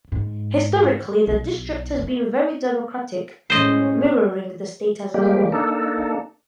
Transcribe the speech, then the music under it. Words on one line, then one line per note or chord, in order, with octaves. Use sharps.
Historically, the district has been very Democratic, mirroring the state as a whole.
G#2
B1
A3
A2 G#3 C#4 C5 D#5
G3 G#3 A#3 G4
A#3 D4 D#4 A4